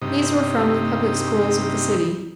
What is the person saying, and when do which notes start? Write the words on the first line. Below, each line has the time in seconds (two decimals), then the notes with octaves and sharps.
These were from the public schools of the city.
0.02 G2 C3 D#4